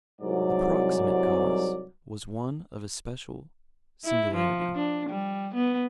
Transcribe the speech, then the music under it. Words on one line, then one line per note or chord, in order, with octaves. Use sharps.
The proximate cause was one of especial singularity.
C2 G#2 F#3 D5
E4
F3
D4
G3
B3